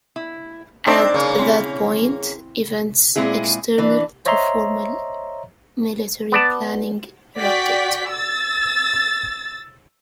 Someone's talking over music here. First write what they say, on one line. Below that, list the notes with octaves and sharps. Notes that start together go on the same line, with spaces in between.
At that point, events external to formal military planning erupted.
E4
C4 D4 D#4 C5 D5
C#3 A#3
C4 E4
A#2 G#3 C4 E4 G#4
E3 D4
C5 C#5 D#5 E5 A#5 C6
B3 D5 A5
F#4 D5 G5 B6
E6 A6